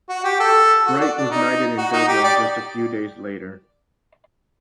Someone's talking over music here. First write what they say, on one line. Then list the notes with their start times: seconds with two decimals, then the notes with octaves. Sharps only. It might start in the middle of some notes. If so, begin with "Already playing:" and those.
Bright was knighted in Dublin just a few days later.
0.09 F#4
0.24 G4
0.40 A4
0.86 F#4
1.01 D4
1.16 D4
1.31 D#4
1.77 F#4
1.93 D#4
2.08 G4
2.24 D5